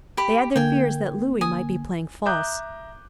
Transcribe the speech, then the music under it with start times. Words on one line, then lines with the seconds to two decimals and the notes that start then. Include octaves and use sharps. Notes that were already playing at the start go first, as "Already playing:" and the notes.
They had their fears that Lewis might be playing false.
0.17 G4 B5
0.56 D3 A#3 G5 G#5
1.41 G#5 D#6
2.26 E5 A#5 D6 D#6 F#6 G6